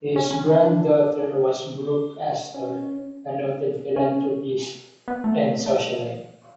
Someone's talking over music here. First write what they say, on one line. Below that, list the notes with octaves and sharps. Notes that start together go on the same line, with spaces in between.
His granddaughter was Brooke Astor, a noted philanthropist and socialite.
C#4
C#4
C#4
D4
C#4
C#4
B3
A3
A3